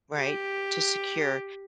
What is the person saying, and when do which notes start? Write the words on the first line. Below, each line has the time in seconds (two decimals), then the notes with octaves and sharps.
right, to secure,
0.16 G4